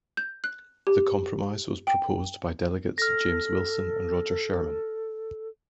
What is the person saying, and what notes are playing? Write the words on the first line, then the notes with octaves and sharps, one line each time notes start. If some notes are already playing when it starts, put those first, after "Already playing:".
The compromise was proposed by delegates James Wilson and Roger Sherman.
G6
F#6
G4
G5
A4 F6 A#6